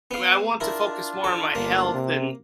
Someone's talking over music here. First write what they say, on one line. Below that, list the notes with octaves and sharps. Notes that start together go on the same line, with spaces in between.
I mean, I want to focus more on my health and
B3 F5
D4 E4 F4 A#4
A4
G1 A#3
C3